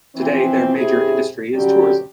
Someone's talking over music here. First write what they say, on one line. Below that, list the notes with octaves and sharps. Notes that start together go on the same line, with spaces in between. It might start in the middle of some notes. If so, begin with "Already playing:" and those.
Today their major industry is tourism.
E3 F3 C4
F#2 C3 E4 G4 G#4
D3 F#3 G3 C#4 G4